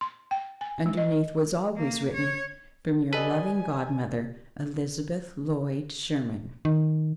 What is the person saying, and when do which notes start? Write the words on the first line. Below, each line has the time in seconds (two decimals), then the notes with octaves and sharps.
Underneath was always written: "From your loving godmother, Elizabeth Lloyd Sherman."
0.01 C6
0.31 G5
0.61 G#5
0.86 G#3
0.97 D#5
1.76 A#3
2.14 C#5
3.13 G3 A4 B4 D#5 G#5
6.65 D#3